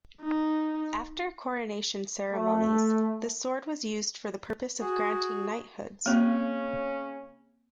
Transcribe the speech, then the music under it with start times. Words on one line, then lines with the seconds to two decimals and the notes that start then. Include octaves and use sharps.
After coronation ceremonies, the sword was used for the purpose of granting knighthoods.
0.21 D#4
2.32 A3
4.80 F#4 G#4
6.06 C#3 A#3 C4 C#4